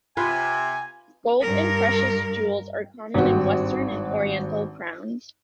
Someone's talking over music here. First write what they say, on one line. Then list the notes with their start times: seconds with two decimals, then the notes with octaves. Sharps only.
Gold and precious jewels are common in western and oriental crowns.
0.17 C3 F4 B4 G#5
1.41 G2 A#4
3.14 G#1 G2 C4 F#4